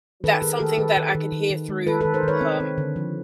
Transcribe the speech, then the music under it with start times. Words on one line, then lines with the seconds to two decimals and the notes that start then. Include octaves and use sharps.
that's something that I can hear through, um,
0.24 D#3 A4 B4
0.42 D#3 G#4 A#4
0.60 D#3 G4 A4
0.78 D#3 A4 B4
0.97 D#3
1.15 D#3
1.32 D#3
1.50 D#3
1.69 G#3
1.87 D#3 A4 B4
2.01 D#3 A4 B4
2.14 A#4 C5
2.23 D#3 B4 C#5
2.41 C4
2.60 C4
2.78 D3
2.96 F3